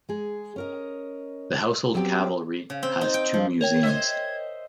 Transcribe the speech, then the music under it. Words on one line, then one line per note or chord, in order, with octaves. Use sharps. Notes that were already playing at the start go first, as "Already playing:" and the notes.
The Household Cavalry has two museums.
G#3 G#4
C#4 A#4 D#5
F#3 B3 C4 G4
C#3
C4
D#4
G5
F3
A#4 C#5 G5 G#6
C5 D#5 E5